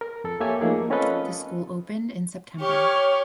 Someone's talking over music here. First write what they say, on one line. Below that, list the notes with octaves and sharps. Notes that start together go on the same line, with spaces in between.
The school opened in September.
A#4
F2 A4
A#3 G4 A4 C#5 E5 G#5
F3 A3 A#3 D#4 G#4 A#4
C4 C#4 F4 A4 B4 D#5
G4 C#5 C#6 F6